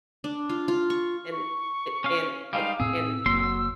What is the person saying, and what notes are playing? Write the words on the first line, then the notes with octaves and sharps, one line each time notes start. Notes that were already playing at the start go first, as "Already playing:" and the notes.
and a and a and, um
D4
F4
F4
C#6
C#6
C#4 F5
G3 G#3 D#4 F5
A2 C4 G#4 E6
F#1 F#3 A#3 C6